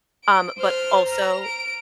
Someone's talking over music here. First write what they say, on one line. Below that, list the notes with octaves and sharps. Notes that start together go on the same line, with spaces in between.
Um, but also
D7
C5 F6
A#5 F7
D7